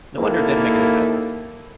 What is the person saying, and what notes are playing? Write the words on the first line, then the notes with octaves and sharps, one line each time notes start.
No wonder it didn't make any sense."
D#2 A#3 E4 A4